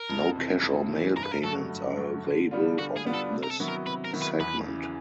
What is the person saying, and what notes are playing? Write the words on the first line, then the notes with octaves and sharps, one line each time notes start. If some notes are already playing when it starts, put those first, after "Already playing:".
No cash or mail payments are available on this segment.
Already playing: A#4
F2
C3 E3
F2
C3 E3
G2 A#4
B4
A#4
D3 F#3 A3 A4
G2
D3 F#3 A3
D3
G3 B3 D4 F4
D3 F#4
G#4
G3 B3 D4 F4
A4
C3
A#4
A4
D#3 F#3 B3 E4
A#4
C3 B4
A#4
D#3 F#3 B3 E4
B4
E2 B4
C#3 E3